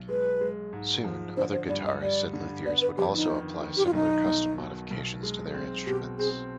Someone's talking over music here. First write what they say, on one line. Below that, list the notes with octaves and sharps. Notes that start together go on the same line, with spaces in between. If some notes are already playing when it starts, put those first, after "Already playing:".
Soon, other guitarists and luthiers would also apply similar custom modifications to their instruments.
Already playing: B1
G#3 B4
G#3
G#2
F3
D3 C5
C5
G2 D5
D#5
G3 D5
D3
B3 D5
B4
F2 G4
D#4
D#3
D#3
G4
F4
B1 D#4
B1
B2
B1
G#3
C4
B2 G4
C4 G#4